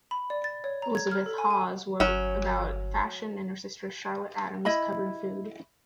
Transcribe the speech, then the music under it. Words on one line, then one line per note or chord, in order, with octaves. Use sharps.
Elizabeth Hawes wrote about fashion, and her sister Charlotte Adams covered food.
B5
D5
A6
C#5
A#5
G#6
F6
A4
G#5
G#5
G1 F#3 C#4
E4 D#5 B5